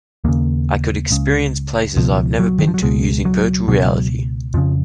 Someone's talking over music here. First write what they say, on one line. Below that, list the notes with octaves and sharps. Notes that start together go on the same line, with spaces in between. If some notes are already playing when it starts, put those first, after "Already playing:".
I could experience places I've never been to using virtual reality.
D#2 C#3 A#3
C#2 C#3
C#2 B2 F3
F#3
D#3
F3
F#3
C#2 B2 G#3
F#3
C#2 B2 F#3
F2 C#3 F3